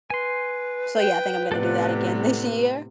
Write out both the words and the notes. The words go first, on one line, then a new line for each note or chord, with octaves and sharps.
So yeah, I think I'm gonna do that again this year,
B4 G#5 C6
G5
A2 C3 B3 A4 D5 F#5